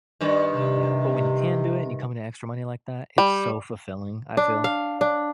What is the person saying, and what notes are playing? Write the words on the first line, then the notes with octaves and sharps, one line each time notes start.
Yeah. But when you can do it and you come in to extra money like that, it's so fulfilling, I feel,
G2 D#3
C3
G3
D4
F5
D4